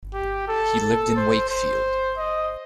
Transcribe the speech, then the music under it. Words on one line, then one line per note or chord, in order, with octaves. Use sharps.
He lived in Wakefield.
G4
A4
A4
C5
C5
D#5